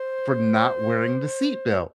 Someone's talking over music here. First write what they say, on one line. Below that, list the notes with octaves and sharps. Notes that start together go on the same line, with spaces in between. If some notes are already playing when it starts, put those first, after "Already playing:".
for not wearing the seat belt.
Already playing: C5